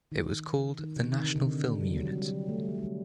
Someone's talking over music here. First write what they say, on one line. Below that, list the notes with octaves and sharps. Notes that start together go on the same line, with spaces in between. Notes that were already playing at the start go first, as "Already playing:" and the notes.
It was called the National Film Unit.
D#3
D#3
C3
D#3
D3
C3
D3
F#3
G3
F#3
G3
F#3
A3
G3
F#3
G3